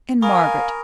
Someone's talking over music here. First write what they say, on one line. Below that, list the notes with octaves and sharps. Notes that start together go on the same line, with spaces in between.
And Margaret?
A#4 F5 G#5 B5 C#6 D#6